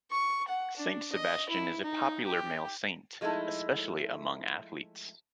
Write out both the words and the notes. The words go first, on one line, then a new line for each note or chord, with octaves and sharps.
Saint Sebastian is a popular male saint, especially among athletes.
C#6
F#5
D4
D#5
E4
D#4
G4
F3 G#3 A3 D#4 E4